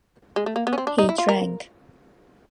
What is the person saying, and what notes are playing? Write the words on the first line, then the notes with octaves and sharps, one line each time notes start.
He drank.
G#3
A3
A#3
B3
C#4
C4
D4
D#4
E4
F4
A#4